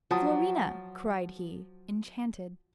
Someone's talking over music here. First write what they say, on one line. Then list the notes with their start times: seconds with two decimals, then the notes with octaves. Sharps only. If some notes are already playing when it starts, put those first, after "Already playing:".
"Florina!" cried he, enchanted.
0.11 F3 F#3 A5 D#6